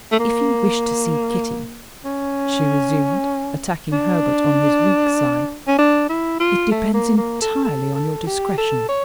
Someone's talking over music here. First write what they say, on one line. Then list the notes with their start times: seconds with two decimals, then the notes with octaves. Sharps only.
"If you wish to see Kitty," she resumed, attacking Herbert on his weak side, "it depends entirely on your discretion."
0.12 A3
0.19 A#3
2.05 C#4
3.92 D4
5.68 C#4
5.79 D4
6.09 E4
6.40 F4
6.72 A3
6.94 A#3
7.17 A#3
7.42 A4
7.64 A4
7.95 A4
8.27 G4
8.58 A4
8.89 C#5